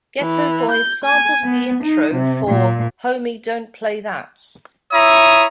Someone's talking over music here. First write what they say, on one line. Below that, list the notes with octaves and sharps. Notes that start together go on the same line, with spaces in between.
Geto Boys sampled the intro for "Homie Don't Play That".
E3
G6
G#5
B3
D#4
C3
A#2
E4 C#5 E5 A#5 D#6